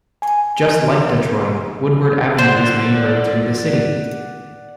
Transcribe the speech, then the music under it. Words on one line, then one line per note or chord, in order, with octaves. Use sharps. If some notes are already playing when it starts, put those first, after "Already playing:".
Just like Detroit, Woodward Avenue is the main road through the city.
G#5
C5 D5 F#5